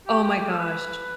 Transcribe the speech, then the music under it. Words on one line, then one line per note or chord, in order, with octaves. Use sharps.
Oh my gosh.
G4
G4
G4
A4
B4